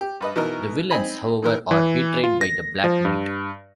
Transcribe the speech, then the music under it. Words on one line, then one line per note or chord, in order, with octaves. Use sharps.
The villains, however, are betrayed by the Black Knight.
G4
G2 B4 D#5
B2 E3 D#4 A#4
C4 D#4 G#5 B5
D#3 E3 A#4
E3
F4
A#6
F3
G2